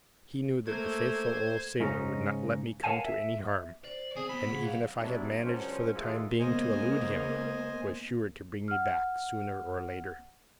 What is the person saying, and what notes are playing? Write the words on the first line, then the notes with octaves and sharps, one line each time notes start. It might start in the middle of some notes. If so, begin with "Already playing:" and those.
He knew that the faithful old sailor would not let me come to any harm, and even if I had managed for the time being to elude him, was sure to bring me back sooner or later.
A3 A#3 C5 G#6
G#2 C#3 C#4 D#4
A#4 C#5 F5 F#5 G#5 A5
E5
C5 D5
C4 G#4
B3 E4 B5
C#3 G#4 F#5
B1 F5
F#3 G3 B3 D4 E4
C#2 F#3 C#4 D4 C5
D#2 G#2 E3 G#3 A3 F4
C#2 A#3 B3 C5 D#5 G#5
F#5 F6